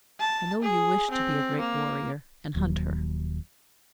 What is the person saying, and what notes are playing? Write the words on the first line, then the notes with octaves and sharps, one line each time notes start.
I know you wish to be a great warrior and hunter.
A5
G#4
C4
A#3
D#1 D#2 F#3